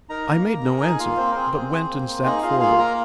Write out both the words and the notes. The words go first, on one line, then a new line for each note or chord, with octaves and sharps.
I made no answer, but went and sat forward.
D#4 A#4 A#5
A#3
A#3
G#4
D#4 G#4 G#5
A#3 F4 F5
A#3 C4 C5
A#4
C4 G#4 C5
G#4
G#4
A#3
A#3
D#4 G#4 D#5
F4 G#4 F5
A#3 F4 F5
A#3 A#4 A#5